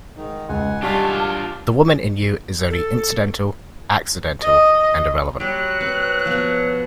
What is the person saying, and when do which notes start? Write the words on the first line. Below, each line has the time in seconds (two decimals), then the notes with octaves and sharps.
The woman in you is only incidental, accidental, and irrelevant.
0.17 G#2 D#3 D#4
0.49 C#2 G#2 F#5 G#5
0.83 G3 D4 F4 A5 C#6 B6
2.70 A4
4.41 D#5
5.40 F#3 G3 G4 F#6
5.81 C4 B4
6.25 B2 F3